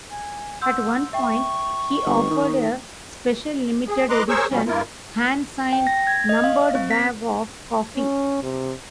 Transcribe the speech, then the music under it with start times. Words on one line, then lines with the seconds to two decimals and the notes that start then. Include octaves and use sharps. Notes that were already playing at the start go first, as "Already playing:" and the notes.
At one point, he offered a Special Limited Edition hand-signed numbered bag of coffee.
0.11 G#5
0.61 F#5 C6 E6 G6
1.13 E5 G5 C#6
2.05 G1
2.30 D#3
3.87 G#4
4.10 B4 D#5 A#5 C6 D6 F#6
4.28 G#4 A#4 C5 C#5 C#6 E6
4.51 B2 F3 G3 C#4
4.67 G2 A#3 E4 F4 A#4
5.73 G5
5.87 A#6
6.07 G#6
6.29 D#5
6.44 F5
6.75 C4
6.91 B6
7.96 C#4
8.43 C3